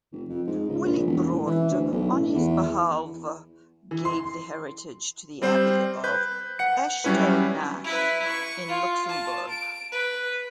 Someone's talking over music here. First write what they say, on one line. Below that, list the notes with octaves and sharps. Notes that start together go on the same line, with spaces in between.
Wilibrord on his behalve gave the heritage to the Abbey of Echternach in Luxembourg.
F1
F2
G#2
C#2
A#1
E1
A1
E3
D2
B1
A2
E2
E3
C6
G3 C4 C5
B4 G6
F#5 C#7
F#3 G3 C#4 E4 B4
E4 B4
C#6
F4
A5
D7
B4